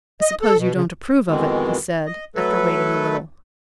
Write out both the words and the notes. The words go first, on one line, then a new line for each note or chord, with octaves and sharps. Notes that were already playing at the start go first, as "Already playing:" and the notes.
"I suppose you don't approve of it?" he said, after waiting a little.
D#5
A4
B2
C#3
F2 B2 D#3 E3 G#3
D#5
F#3 A3 A4 B4